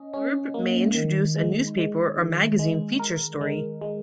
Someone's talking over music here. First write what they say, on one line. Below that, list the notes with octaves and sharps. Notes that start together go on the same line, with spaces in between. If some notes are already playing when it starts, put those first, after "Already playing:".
A blurb may introduce a newspaper or magazine feature story.
Already playing: C#4 D#5
C#4
A#3
D#3
G#3
G#3
D#3
G#3
A#4
G#3
G#3